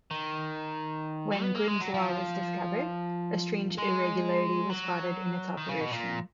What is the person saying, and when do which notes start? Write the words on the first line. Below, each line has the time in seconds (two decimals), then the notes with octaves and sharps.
When Grimm's law was discovered, a strange irregularity was spotted in its operation.
0.11 D#3
1.41 B3
1.55 A#3
1.68 G#3
1.81 F#3
1.94 F3
3.78 G#3
4.70 F#3
5.57 D#3
5.69 C#3
5.80 B2
5.92 A#2